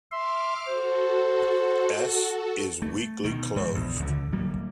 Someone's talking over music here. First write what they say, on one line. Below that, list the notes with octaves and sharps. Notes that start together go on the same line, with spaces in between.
"S"' is "weakly closed".
E5 C6 D6 F6
F#4 A4 C5
A3
B2 D#3
G#2 F3
A#1 E2
C#2 D3
D1 F#3 G3 A#3